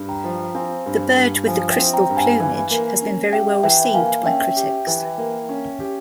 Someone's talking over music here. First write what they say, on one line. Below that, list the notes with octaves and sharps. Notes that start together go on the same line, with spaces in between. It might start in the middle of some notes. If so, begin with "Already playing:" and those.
"The Bird with the Crystal Plumage" has been very well received by critics.
Already playing: G2
G5 A#5
F3
A#5
C4 F5 G#5
G2
G2
F3 F5 G#5
E5 G5
C4
G5 A#5
G2
F5 G#5
E3
A#3
C#4
G4 E5 G5
E3 E5 G5
A#3 F5 G#5
C#4 E5 G5
G4
E3
A#3
C#4
G4